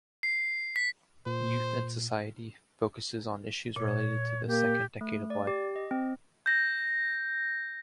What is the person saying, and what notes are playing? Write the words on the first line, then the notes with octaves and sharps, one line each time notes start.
"Youth and Society" focuses on issues related to the second decade of life.
C7
B6
A#2 C5
A#2 C#5
A#3 G4
A3
D5
G4
D#5
C4
G6 A#6